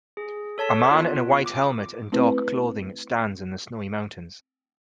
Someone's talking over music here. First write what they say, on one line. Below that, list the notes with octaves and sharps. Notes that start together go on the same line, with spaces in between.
A man in a white helmet and dark clothing stands in the snowy mountains.
G#4
A4 C#5 A5 B6
B3 F4
D6
A3 C4 E4 B4